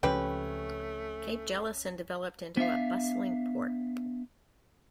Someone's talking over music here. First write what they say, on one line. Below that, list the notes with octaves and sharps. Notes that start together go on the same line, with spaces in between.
Cape Jellison developed into a bustling port.
C#2 C#3 F3 A3 C4 C#4 G4 B4
B3 D4 E5 F5